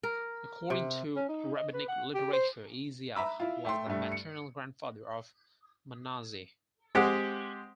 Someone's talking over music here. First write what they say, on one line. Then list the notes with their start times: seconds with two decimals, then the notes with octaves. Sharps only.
According to rabbinic literature, Isaiah was the maternal grandfather of Manasseh.
0.03 A#4
0.70 C3
1.16 C#4
1.29 D#4
1.55 D#5
1.74 B4
1.88 F#5
2.14 G4
2.33 C5
3.15 E5 A#5 B5 E6
3.40 E4 F4
3.65 A3 G5 C6
3.86 G2 G3 A3
4.12 C#7
6.95 G#3 C4 G4 F#5